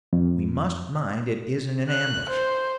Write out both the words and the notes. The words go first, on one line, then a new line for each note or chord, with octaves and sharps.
We must mind it isn't an ambush.
F2
F#6
C5